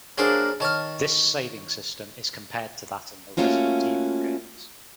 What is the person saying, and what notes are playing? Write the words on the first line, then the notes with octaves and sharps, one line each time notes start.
This saving system is compared that in the "Resident Evil" games.
F#3 A#3 D4 G#4 A#4 C5
D#3 C#5 A5 F6
A3 A#3 C#4 F4 F#4